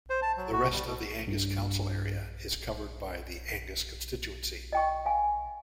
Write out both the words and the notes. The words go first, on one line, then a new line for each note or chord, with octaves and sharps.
The rest of the Angus council area is covered by the Angus constituency.
C5
A5
F#3
F#4
G3
B2
G2
D#5 G5 C#6
F5 G#5